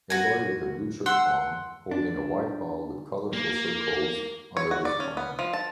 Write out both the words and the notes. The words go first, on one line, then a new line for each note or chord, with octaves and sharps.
A boy with a blue shirt on holding a white ball with colorful circles under his arm.
F#4 G#5
F#5 C6 E6 F#6
D4
A#3
C#5
F#4
D5
C#4
B3
F3
A5